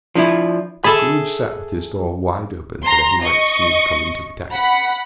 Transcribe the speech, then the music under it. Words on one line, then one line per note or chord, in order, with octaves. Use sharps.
Scrooge sat with his door wide open, that he might see him come into the Tank.
F3 D4 E4
G#4 A4 E5 B5
A#5 C6
D#5 C#6
F#5 B5